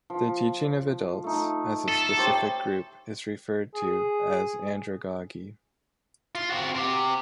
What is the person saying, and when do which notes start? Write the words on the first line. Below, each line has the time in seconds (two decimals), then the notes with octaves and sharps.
The teaching of adults, as a specific group, is referred to as andragogy.
0.10 F3
1.24 A3 D#4
1.88 A4
2.17 G4 C5 C#5
3.75 G#4
6.35 F4
6.50 C4 F#4
6.75 C4 G4